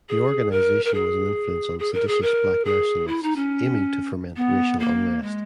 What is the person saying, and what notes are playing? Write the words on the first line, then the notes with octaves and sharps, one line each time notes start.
The organization was an influence on seditious black nationalists, aiming to foment racial unrest.
G#4
A#4
A#4
G#4
G#4
A#4
G#4
A#4
G#4
E4
D#4
C#4
B3
A#3
G#3